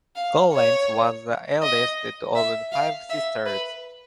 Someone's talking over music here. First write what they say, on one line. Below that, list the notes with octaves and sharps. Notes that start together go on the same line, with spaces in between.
Gollancz was the eldest of five sisters.
F5
C#5
D#5
E5
F5
E5
B4